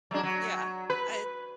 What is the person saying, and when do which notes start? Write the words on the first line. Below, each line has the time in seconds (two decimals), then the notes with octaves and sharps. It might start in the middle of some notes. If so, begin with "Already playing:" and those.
Yeah. I'd
0.11 F#3 G#3 D4
0.23 F#3
0.90 B4